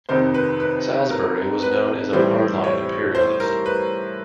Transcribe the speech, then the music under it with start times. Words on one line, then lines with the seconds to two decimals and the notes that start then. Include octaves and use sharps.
Salisbury was known as a hardline imperialist.
0.09 F2 C3 D#3 C5
0.34 B4
0.60 B4
1.10 A#4
1.62 B4
2.13 A2 E3 G3 C5
2.64 C#5
3.15 C5
3.40 A#4
3.66 B4